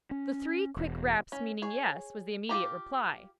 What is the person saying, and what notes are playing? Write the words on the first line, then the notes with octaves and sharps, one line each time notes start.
The three quick raps meaning "Yes" was the immediate reply.
C#4
E1
C#4
G#4 C#5 G#5
F4 G4 A#5